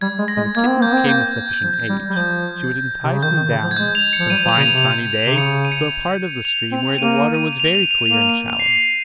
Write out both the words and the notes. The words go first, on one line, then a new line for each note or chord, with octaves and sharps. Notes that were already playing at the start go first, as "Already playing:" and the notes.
When the kittens came of sufficient age, she would entice them down, some fine sunny day to a part of the stream, where the water was very clear and shallow.
G3 G#6
G#3
A#6
G#3
A#3 G#6
C4
A#3 G6
C4
A#3 G6
F3
G3
G3
F3 G6
C3
C#3
D#3 G6
D#3
C#3
F3
G#6
G#3 G6
F7
C#7
F3
G3 D#7
F3
F7
C#3
D#7
F7
C3
F7
D#7
C3
C#3 C#7
D#7
C#7
D#7
F7
C4
A#3 D#7
D#7
D#7
D#7
F7
D#7
F7
D#7
F7
D#7
A#3 F7
D#7
F7
D#7
C7